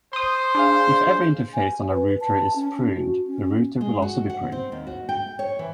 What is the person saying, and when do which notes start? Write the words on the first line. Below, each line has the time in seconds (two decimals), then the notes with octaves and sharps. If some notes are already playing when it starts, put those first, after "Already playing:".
If every interface on a router is pruned, the router will also be pruned.
0.13 C5 C6 D#6
0.55 D4 G#4 F5
1.54 G#5
1.90 B4
2.21 A5
2.56 C#4
2.95 F#4
3.27 C#4
3.81 G#3
4.02 F#4
4.30 F#5
4.52 C4
4.72 D#2
4.87 F#4
5.09 G5
5.39 C#5
5.59 E3